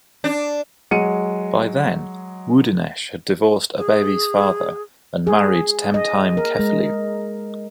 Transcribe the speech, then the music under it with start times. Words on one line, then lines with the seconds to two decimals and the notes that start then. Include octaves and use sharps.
By then, Wudinesh had divorced Abebe's father and married Temtime Kefelew.
0.24 D4
0.91 F#3 G#3 C#7 D#7
3.77 G#4
5.27 G#4
5.94 D#5
6.37 A#4
6.59 G#3